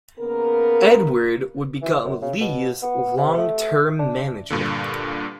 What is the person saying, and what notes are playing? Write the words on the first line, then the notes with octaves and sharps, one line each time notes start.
Edwards would become Lee's long-term manager.
C#3 A#3 B3 A#4
E3
F#2
C#3
B2
B3
C3
A3
D4
G2 A#2 D3